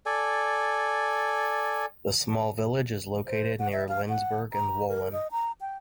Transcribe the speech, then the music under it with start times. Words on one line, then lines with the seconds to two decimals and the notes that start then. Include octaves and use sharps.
The small village is located near Lenzburg and Wohlen.
0.06 A4 D5 G#5
3.26 C5
3.59 F#5
3.73 E5
3.88 F5
4.09 F#5
4.53 A#5
4.89 A#4
5.12 D#5
5.32 A#5
5.61 G5